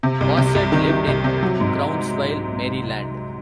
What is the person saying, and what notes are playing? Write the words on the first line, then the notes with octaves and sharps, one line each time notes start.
Boschert lived in Crownsville, Maryland.
C3
C2
C3
C2
D#3
D#3
C2
C3
F#3
G#2